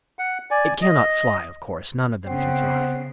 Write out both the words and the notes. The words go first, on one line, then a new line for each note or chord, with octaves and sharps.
It cannot fly, of course: none of them can fly....
F#5
D5 G#5
D#5
C#3 B3 C4 F#5 C7